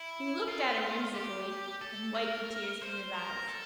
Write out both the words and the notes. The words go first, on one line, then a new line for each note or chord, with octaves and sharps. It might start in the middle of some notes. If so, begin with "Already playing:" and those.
He looked at her whimsically, and wiped the tears from his eyes.
Already playing: E4
F4
G4
A4
A#4
C5
A#4
A4